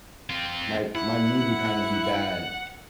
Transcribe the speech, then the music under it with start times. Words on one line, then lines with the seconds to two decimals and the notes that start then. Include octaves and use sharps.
my my mood would kind of be bad,
0.30 C4 F4
0.95 E4 F#5